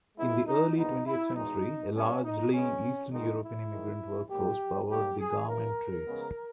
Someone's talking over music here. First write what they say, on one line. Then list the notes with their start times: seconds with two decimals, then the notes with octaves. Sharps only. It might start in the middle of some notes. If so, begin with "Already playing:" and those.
In the early twentieth-century a largely Eastern European immigrant workforce powered the garment trades.
0.18 B2 G#3 B3 E4
0.46 D#4
0.77 A#2 G#3 B3 D#4
1.06 E4
1.35 E2 B2 G#3 D#4
1.94 A#2 G3 B3 C#4
2.24 D#4
2.53 C#3 G#3 B3 C#4
3.12 E2 D#3 G#3 B3 D#4
3.42 E4
3.71 G#2 D#3 G#3
4.30 G#2 G3 A#3 G4
4.89 G#2 G3 A#3 G4
5.19 G#4
5.47 G2 E3 A#3 A#4
6.06 C#3 G#3 B3